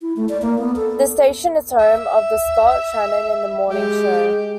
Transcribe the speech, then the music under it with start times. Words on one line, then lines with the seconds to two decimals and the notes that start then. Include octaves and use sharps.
The station is the home of the "Scott Shannon in the Morning" show.
0.02 E4
0.16 A3
0.29 D5
0.42 A#3
0.58 B3
0.76 A4
1.79 E5
3.71 G#3 G4